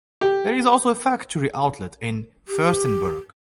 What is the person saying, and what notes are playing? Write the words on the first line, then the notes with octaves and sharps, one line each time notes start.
There is also a factory outlet in Fürstenberg.
G4
G4